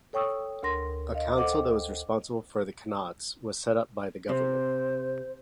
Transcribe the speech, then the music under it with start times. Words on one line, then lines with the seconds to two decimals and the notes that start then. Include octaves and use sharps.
A council that was responsible for the qanats was set up by the government.
0.13 A4 C#5 G5 C#6 D#6 E6
0.63 D2 A#4 C6 A#6
1.15 D#5 F5
1.37 A4 C5 D#5 F#5 D6
1.52 G5
4.29 C3 C5